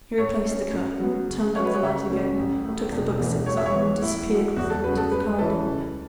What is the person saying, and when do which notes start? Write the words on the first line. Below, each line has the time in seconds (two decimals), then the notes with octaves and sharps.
He replaced the curtain, turned up the light again, took the books in his arms and disappeared with them into the corridor.
0.18 A2 C#5
0.45 A3 C#4
0.73 F#2
1.00 F#3 B3
1.28 C#3
1.55 F#3 A3 C#4 C#5
1.65 B4
1.74 C#5
1.83 C#2 E5
2.10 C#3 F#3 A3 C#4
2.37 A1
2.65 A2 A3
2.92 E1
3.19 E2 E3 A3
3.46 A2 C#5
3.57 E5
3.66 C#5
3.74 E3 B3
4.02 A2 E4
4.29 F#3 A3
4.56 E2 F#4
4.70 A4
4.84 C#3 F#3 B4
4.98 A4
5.11 F#2 B4
5.38 E3 C#4 E4 A4 B4
5.66 C#2